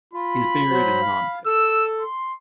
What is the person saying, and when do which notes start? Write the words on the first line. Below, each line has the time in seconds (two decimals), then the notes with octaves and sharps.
He is buried in Nantes.
0.13 F4 B5
0.70 F#3 F#4 C5
1.02 F5
1.46 A4 E6
2.01 C6